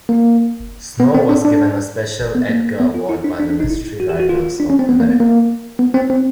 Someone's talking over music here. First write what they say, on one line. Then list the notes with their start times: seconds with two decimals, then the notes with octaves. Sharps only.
Snow was given a Special Edgar Award by the Mystery Writers of America.
0.09 A#3
1.00 B3
1.15 C4
1.29 D4
1.45 D4
2.35 B3
2.49 A#3
2.80 B3
2.94 F4
3.09 E4
3.24 D4
3.40 D4
3.50 D4
3.60 D#4
3.70 E4
4.00 F#4
4.09 G4
4.20 F#4
4.29 F4
4.60 D4
4.70 C#4
4.79 C4
4.89 B3
5.00 A#3
5.09 B3
5.20 A#3
5.79 B3
5.94 C4
6.10 C4